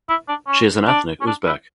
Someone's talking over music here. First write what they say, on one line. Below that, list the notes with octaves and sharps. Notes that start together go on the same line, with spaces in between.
She is an ethnic Uzbek.
E4
D4
C#4
D4
C#4
D4
E4